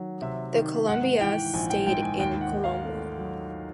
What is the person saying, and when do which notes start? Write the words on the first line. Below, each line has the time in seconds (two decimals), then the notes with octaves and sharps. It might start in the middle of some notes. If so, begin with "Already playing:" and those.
The Colombia stayed in Colombo.
Already playing: D#3 F#3
0.22 C3 E5
0.55 D#3
0.87 G#2 F#5
1.20 E3 G5
1.54 A#1 G#5
1.70 G5
1.87 G#2 G5
2.03 G#5
2.19 D#2 G5
2.41 F#5
2.52 D#3
2.64 F5
2.85 A3
3.18 F#3